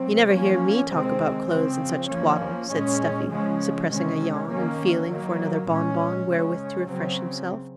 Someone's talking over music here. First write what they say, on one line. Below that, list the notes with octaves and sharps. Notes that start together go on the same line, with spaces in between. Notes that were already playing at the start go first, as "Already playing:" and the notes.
You never hear me talk about clothes and such twaddle,' said Stuffy, suppressing a yawn, and feeling for another bon-bon wherewith to refresh himself.
Already playing: C3 F#3 C4
F3 A#3 C#4
C3 D#3 G#3 C4
C#3 F3 C4
F3 A#3 C#4
A#2 G#3 C#4
C#3 F3 G#3 C#4
C3 D#3 G#3 C#4
D#3 A#3 C#4
D#3 F#3 A#3
A#2 G#3 C#4
C#3 G#3 C#4
C#3 F#3 C4